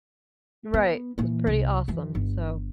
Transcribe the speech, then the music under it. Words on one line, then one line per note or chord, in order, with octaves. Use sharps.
Right, it's pretty awesome. So
B3
A#2 E3
C2
F#2 E3
G1